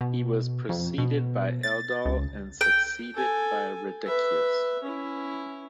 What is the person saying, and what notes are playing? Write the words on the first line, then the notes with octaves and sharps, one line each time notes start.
He was preceded by Eldol and succeeded by Redechius.
B2
F2
B2
A6
C#2
G5
A4 G#5
B4 E5
C#4 E4